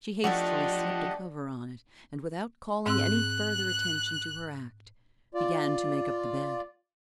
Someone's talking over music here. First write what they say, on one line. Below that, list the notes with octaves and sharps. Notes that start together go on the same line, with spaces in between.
She hastily slipped a cover on it, and without calling any further attention to her act, began to make up the bed.
F3 A3 D4 E4 F#4 G4 D#5 F#5
G#2 C4 E6 F#6
F4 D5